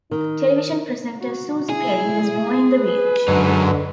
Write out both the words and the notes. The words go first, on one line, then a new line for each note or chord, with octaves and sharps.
Television presenter Suzi Perry was born in the village.
D#3 D#4
F#4
E4 G#4
B4
F#2 D3 G#3 D#4